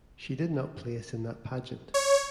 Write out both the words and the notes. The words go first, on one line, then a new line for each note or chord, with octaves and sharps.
She did not place in that pageant.
C#5